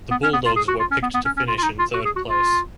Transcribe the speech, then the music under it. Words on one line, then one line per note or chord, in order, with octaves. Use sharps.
The Bulldogs were picked to finish in third place.
B3
C#4
B3
F4
G#4
F#4
F4
C#4
B3
B3
C#4
C#4
F4
F4
D#4
F4
F#4
G#4
F#4
F4